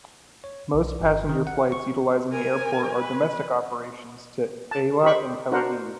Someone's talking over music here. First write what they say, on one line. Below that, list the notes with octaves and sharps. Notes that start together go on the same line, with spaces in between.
Most passenger flights utilizing the airport are domestic operations to Eilat and Tel Aviv.
C#5
B1
G1
D#3
F#5
C#6
A#4 G#5
B4
A5
G4 C5 B5 C#6
D4 F#4 A#4 C5 F#5